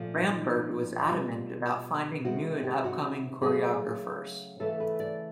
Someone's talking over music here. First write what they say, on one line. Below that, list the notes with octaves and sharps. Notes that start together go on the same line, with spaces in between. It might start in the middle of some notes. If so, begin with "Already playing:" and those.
Rambert was adamant about finding new and upcoming choreographers.
Already playing: A#2 F3 A3
D#4
B2 G3 F4
C3 D#3 G#3 F#4
G4
F#4
C#3 F#3 A3 G#4
C#3 E3 A3 A4
B4
D5